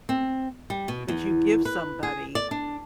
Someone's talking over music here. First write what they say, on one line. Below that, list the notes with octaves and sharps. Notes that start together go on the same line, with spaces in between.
would you give somebody
C4
G3
B2
E2
B4
G#4
D5
D4